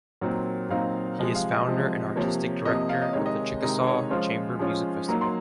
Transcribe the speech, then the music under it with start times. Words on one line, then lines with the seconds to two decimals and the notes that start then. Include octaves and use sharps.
He is founder and artistic director of the Chickasaw Chamber Music Festival.
0.21 A#2 F#3 C4 D#4
0.69 A#2 F#3 C4 D#4 F5
1.19 C3 F3 G#3 D#5
1.35 F5
1.52 D#5
1.67 C3 F3 G#3
2.16 C3 F3 A#3 C#5
2.65 C3 F3 A#3 D#5
2.89 F5
3.02 D#5
3.13 C3 D#3 G#3 D#4 C#5
3.26 D#5
3.62 C3 D#3 G#3 D#4 D#5
3.87 C#5
4.11 F3 G#3 C#4 F4 C5
4.59 F3 G#3 C#4 F4
5.09 F#3 A#3 D#4 A#5
5.21 C6